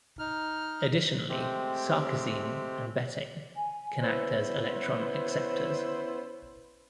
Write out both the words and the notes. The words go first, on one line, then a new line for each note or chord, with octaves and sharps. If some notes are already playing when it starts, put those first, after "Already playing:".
Additionally, sarcosine and betaine can act as electron acceptors.
D#4 F6
G#3 A3 C4 G4
G#5
B3 C#4 E4 C5